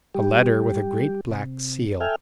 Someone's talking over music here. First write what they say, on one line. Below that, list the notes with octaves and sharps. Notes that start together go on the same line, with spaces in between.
A letter with a great black seal!
G3 G4
C3
A4 E5 G5 G#5 F6